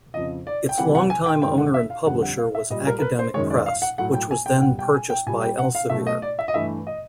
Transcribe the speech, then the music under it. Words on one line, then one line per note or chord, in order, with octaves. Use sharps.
Its longtime owner and publisher was Academic Press, which was then purchased by Elsevier.
F2 C#3 F3 D#5
D5
G5
C3 E3 G3 F#5
F#5
G#5
G5
F#2 D#3 G#3 G5
F#5
E5
F5
F2 D3 G3 F#5
F#5
F5
E5
A#2 G3 D#5
A#4
A#4
B4
C5
F#2 D#3 G#3 C#5
D5
F5
F#5
A2 F#3 A3 F#5
G5
G#5
G5
G5
B2 G3 F#5
G5
G#5
G5
A#2 G3 G#5
G5
F#5
F5
B2 F#3 A3 E5
D#5
D5
E5
D#5
G2 E3 A3 E5
D#5